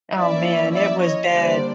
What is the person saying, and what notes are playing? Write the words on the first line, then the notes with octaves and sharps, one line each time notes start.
Oh, man, it was bad.
F3 A#3 C#4 E4 D5 E5
D5 E5
C#5 D#5
D3 G3 A#3 D4 C5 D5